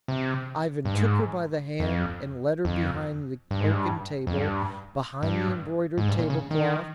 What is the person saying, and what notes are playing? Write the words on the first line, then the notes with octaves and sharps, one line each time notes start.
Ivan took her by the hand and led her behind the oaken table, behind the embroidered tablecloth.
C3
G2
G#2
F2
F2
G2
G#2
G2
F2
G2
G2
G#2
G2
A#2
C#3
D#3